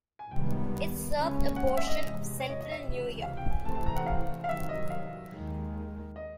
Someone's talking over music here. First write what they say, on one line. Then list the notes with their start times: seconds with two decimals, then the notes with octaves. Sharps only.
It served a portion of central New York.
0.19 G#5
0.31 C#2 C3 D#3 G3 B3 G5
1.14 C#2 C#3 F3 A#3 C#4
1.56 F#5
1.67 F#5
1.77 E5
1.87 D#5
1.97 E2 C3 E3 G#3 D#5
2.40 C#5
2.50 D#5
2.60 D#5
2.71 E5
2.82 C#2 C3 E3
3.23 F5
3.37 G5
3.51 G#5
3.65 C3 E3 A3 C4 A5
3.75 A5
3.86 A#5
3.96 F#5
4.06 F5
4.44 F5
4.48 C2 C3 D#3 F#3 E5
4.69 D#5
4.90 F5
5.32 D#2 D#3 G#3
6.16 D#5